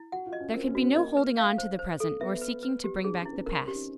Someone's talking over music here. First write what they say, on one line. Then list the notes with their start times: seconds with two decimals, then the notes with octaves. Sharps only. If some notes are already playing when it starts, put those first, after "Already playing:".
There can be no holding on to the present nor seeking to bring back the past.
Already playing: E4
0.12 F#4 F#5
0.26 F4
0.33 D#5
0.40 C#4
0.54 C4 A#4
0.68 C#4
0.75 F#4
0.82 C4
0.96 A#3 D#5
1.17 B4
1.37 F5
1.58 C5
1.79 C5
2.00 A4
2.21 B3 E5
2.41 B4
2.63 B4
2.84 G4
3.04 D4 G#4
3.18 C#4
3.25 E4
3.32 B3
3.46 C4 A#4
3.61 C#4
3.67 G4
3.74 D#4